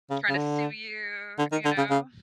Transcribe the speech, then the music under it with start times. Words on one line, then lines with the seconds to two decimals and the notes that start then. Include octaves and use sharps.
tryna sue you, you know.
0.10 C#3
0.29 C#3
0.36 D3
1.39 D3
1.52 D#3
1.65 D3
1.78 C#3
1.90 C#3